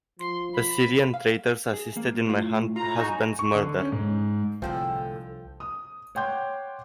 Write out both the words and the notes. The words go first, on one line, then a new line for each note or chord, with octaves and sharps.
The Syrian traitors assisted in my husband's murder.
F3 C6
B5
F5
G#4
A#3
A2 F4
A2 F4 A#5
D#4 F#4 G#5
C#6
D3
C#4
G#2
C2 A2 D3 F3 G#3 G5
D#6
C#5 F#5 G5 C6 D6 G6